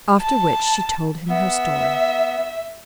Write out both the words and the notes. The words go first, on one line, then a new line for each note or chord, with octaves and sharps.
After which she told him her story.
A5
B3 E5